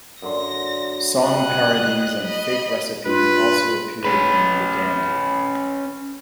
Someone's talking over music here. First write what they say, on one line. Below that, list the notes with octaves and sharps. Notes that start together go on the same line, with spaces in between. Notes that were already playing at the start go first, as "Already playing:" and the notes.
Song parodies and fake recipes also appeared in "The Dandy".
F#2 D3 C6 A#6
G3 D#5 F#6
D#5 B5
G2 F4 B4
C#4 B4